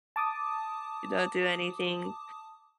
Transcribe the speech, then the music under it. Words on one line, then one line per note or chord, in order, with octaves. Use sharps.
don't do anything."
A5 D6 D#6